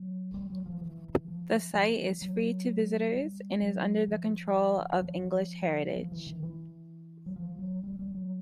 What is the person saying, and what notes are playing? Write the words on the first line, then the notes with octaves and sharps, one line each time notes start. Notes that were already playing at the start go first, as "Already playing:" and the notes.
The site is free to visitors and is under the control of English Heritage.
Already playing: F#3
G3
F#3
F3
E3
F3
F3
F#3
G3
F#3
F3
F3
F3
E3
D#3
E3
F#3
F3
F#3
G3
G3
F#3